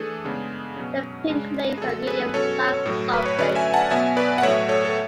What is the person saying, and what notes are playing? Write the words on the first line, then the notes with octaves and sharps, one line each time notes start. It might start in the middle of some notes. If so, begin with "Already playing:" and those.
The Pink Lakes are medium-sized salt lakes.
Already playing: E3 A3 D4 G#4 A4
C#3 G#3 B3 D4
B2 F#3 C#4
C#3 G#3 D4
G#4
D3 F#3 A3 A4
G#4 B4
B2 F#3 C#4 A4 C#5
A2 F#3 A3
B4
C#5
D3 F#3 A3 C#4 B4 D5
E5 G#5
F#5 A5
B2 F#3 B3 E5 G#5
B4 D5
F#5
A2 F#3 A3 C#5 E5
A4 C#5
A4